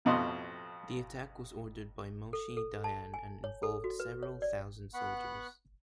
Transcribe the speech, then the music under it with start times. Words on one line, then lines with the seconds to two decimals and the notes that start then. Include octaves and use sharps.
The attack was ordered by Moshe Dayan and involved several thousand soldiers.
0.05 A1 F2 B2 D#5 C6
2.33 A4
2.57 A4
2.84 A5
3.14 G#5
3.44 C#5
3.63 A4
3.84 F#4
4.00 B4
4.23 C#5
4.42 D5
4.94 B3 F#5 B5 C#6 F#6